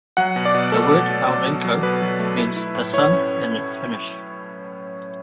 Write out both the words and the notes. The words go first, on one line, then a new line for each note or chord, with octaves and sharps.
The word "Aurinko" means "The Sun" in Finnish.
F#3 F#5
B2
D5
B2
A3 A4
B2
B2
F#3
B2
F#3
B2 B4
F#3
A3
E4
E4
A2
E4 C#5
C#4